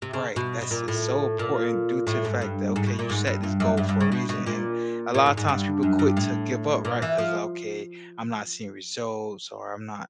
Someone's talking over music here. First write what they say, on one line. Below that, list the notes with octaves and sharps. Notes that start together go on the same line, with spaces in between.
Right, that's it's so important due to fact that, okay, you set this goal for a reason, and a lotta times people quit to give up, right? 'Cause, "Okay, I'm not seeing results or I'm not
C3
C#3
B2
B2
A#2
A2
A#2
A2
G#2
G2
G#2
B2
A#2
G#2
G2
G2
F#2
G2
G2
C#3
B2
B2
A#2
A#2
G#2
G#2
G2
F#2
G2
A2
A#2
E3
F3